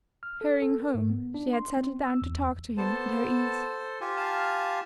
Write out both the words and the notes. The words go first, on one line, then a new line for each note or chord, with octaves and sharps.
Hurrying home she had settled down to talk to him at her ease.
F6
A4
A4
A#4
G#2
B3
D4
C6
C4
E6
E2
B3 A4 C5 A5
F4 G4 G#5
F5 G#5 A5